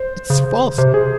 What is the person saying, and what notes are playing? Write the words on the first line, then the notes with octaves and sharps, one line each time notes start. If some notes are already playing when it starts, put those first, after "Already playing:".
It's false!
Already playing: C5
C#3
C3 C5
G#4